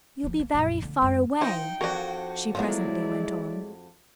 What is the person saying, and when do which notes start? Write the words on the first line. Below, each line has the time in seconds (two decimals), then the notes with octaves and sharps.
"You'll be very far away," she presently went on.
0.24 D2 F3
0.39 A#3
0.54 A#1 F#2
0.82 D3 A3
1.02 F#2 G#3
1.41 E3 D#4 C5 G5
1.81 F2 F#4 A#4 D5
2.55 F3 F#3 G#3 A3 B3 E4 D5